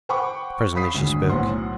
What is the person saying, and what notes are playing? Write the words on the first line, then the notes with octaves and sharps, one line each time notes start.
Presently she spoke.
C5 F#5 G5 B5 C#6 D6
B5 D#6 B6 C7
G#1 D2 D3
B1 A2 F#3 C5 F#5 C6